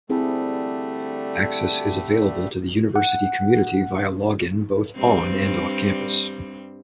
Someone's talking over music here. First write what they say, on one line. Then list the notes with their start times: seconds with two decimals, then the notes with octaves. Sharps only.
Access is available to the university community via login both on and off campus.
0.10 D3 G3 A3 C4 E4 G#4
2.96 F#5
4.96 G2 G3 C4